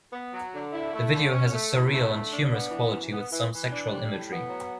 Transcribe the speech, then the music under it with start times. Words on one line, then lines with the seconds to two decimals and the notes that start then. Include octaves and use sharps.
The video has a surreal and humorous quality with some sexual imagery.
0.13 B3
0.33 F#3
0.53 D3
0.72 E4
0.93 A3
1.12 D3
1.32 C#4
1.52 A3
1.72 E2
1.91 A3
2.11 D3
2.32 D4
2.51 B3
2.71 E3
2.91 F#2
3.11 B3
3.30 E3
3.50 E3
3.70 D4
3.90 G3
4.10 A2
4.30 B3
4.50 F#3